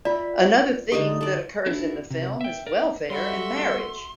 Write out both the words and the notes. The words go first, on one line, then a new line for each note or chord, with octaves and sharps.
Another theme that occurs in the film is welfare and marriage.
F4 D5 E5
D3 D4 D#4 G4
A4 D5
D4 E4 F#4 A4
C3
E5 G5
A#4 D5
G3 F#4 A4 E5 B5 C6